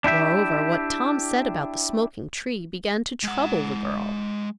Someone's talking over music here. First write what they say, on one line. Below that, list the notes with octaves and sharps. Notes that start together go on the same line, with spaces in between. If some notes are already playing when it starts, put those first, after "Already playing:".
Moreover, what Tom said about the smoking tree began to trouble the girl.
D4 E4 G4 E5
G#3 F#5